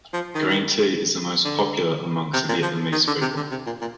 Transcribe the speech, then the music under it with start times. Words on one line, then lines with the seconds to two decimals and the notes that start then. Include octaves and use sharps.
Green tea is the most popular amongst Vietnamese people.
0.13 F3
0.35 D#3
1.45 D3
2.33 C3
2.49 A#2
2.62 F3
2.92 D#3
3.07 D3
3.21 C3
3.36 D3
3.51 C3
3.66 A#2
3.81 A#2